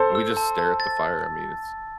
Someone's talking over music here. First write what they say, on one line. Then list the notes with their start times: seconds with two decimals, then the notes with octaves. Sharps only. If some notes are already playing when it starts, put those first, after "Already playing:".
and we just stare at the fire, I mean, it's
Already playing: A4 C5
0.15 E6
0.37 A5
0.58 A5
0.80 A6